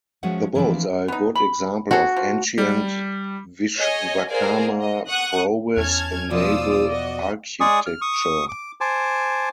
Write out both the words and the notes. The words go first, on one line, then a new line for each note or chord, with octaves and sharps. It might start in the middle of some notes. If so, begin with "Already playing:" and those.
The boats are a good example of ancient Vishwakarma' prowess in naval architecture.
F3 G#3 C#4 F#4 E5 F#5
E3 F3 C4 D4 E4
B3 D#4
B5
C4 F#4 G#4 A4
F3
G3
G#4 C#5 D#5 G#5
G#4 A#4 C5 D5 F5 G#5
D#5
F#5 C#6 D#6 F#6
E2 C#4 A5 F6 G#6
B2 F3 F4 D5 D#6 E6
F#4 D#5
G#3 G#4 D5 C#6 D#6
F6
C#6 D#6
D6
C5 G#5 A5 D6